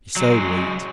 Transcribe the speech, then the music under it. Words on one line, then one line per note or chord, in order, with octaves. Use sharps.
He sowed wheat.
F#3 G#3